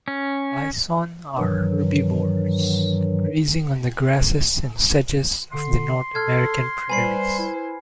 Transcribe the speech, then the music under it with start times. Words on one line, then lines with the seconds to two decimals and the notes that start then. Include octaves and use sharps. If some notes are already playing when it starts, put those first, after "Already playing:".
Bison are herbivores, grazing on the grasses and sedges of the North American prairies.
0.08 C#4
1.38 G2 D#3 E3 F#3
5.52 D3 C6
6.15 A4 F6 G#6
6.90 G3 B4 C5 G#5 B5 C7
7.39 E4